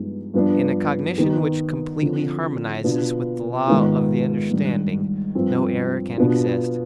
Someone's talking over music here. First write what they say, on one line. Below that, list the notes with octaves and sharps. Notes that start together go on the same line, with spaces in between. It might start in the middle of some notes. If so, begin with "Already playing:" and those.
In a cognition which completely harmonizes with the laws of the understanding, no error can exist.
Already playing: G2 F3 G#3 B3 D#4
G2 F3 B3 D4
D#3 B3 D#4
D3 F3 C4
B2 B3 D4 F4
G#2 D#3 B3 F4
G#2 D#3 G3 D4
G2 F3 C4
B2 B3 D4 F4